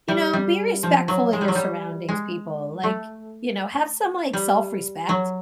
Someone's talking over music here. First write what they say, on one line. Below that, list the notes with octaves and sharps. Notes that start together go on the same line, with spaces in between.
you know, be respectful of your surroundings, people, like, you know, have some, like, self-respect
G3
G3
F3
F#3
G#3
G3
F#3
G3
G#3
A3
G3
F#3